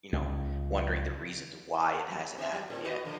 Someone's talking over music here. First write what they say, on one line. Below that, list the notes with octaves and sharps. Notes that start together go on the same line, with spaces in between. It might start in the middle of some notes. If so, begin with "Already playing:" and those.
you know, wondering the reasons why it hasn't happened yet.
C#2 C#3
B3 E5
F#3
A2 C4
F#4 B4 D#5
A#2 D3 F3